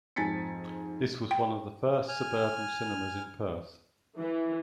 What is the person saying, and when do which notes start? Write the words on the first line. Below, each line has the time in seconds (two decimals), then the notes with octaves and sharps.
This was one of the first suburban cinemas in Perth.
0.16 F2 G#2 G#5 A6 B6 C#7
1.31 G5
2.08 G#5 F6
4.19 E3